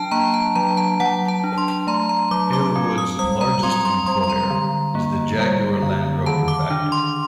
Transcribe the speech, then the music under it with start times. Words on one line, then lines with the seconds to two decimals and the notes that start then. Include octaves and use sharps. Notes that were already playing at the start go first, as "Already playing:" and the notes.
Halewood's largest employer is the Jaguar Land Rover factory.
Already playing: F#3 D4 G5 A5
0.11 A#3 A#5
0.34 A5
0.55 F#3 A#5
0.77 A5
1.00 F#3 F#5
1.28 A5
1.44 D4
1.58 C6
1.87 A3 A#5
2.09 A#5
2.31 F#3 D6
2.53 D6
2.76 C4
2.98 D#6
3.19 G3 D#6
3.41 A#5
3.63 C4 C6
3.85 C6
4.06 G3 C6
4.24 C6
4.30 A#5
4.50 D3
4.95 A#3
5.38 G3
5.83 D3
6.26 D#3 A5
6.48 D6
6.70 D4
6.92 C6